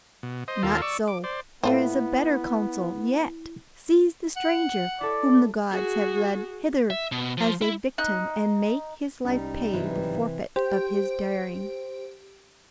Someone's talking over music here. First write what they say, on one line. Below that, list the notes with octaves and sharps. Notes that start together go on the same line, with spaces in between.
Not so, there is a better counsel yet; seize the stranger whom the gods have led hither as a victim and make his life pay the forfeit of his daring.
B2
C5 D#5
D#2 F4 A4 A#4
D5 C#6 E6
D6
C5 D5
A2 A3 B3 E4 F4 C5
F#5
E4 A4 C#5 D5
F#4 G#4
E5
B2
F3
E4
D#4 F#6
C2 G3 C#4 D#4
G#1 G2 C3 E3 F#3
G4 C5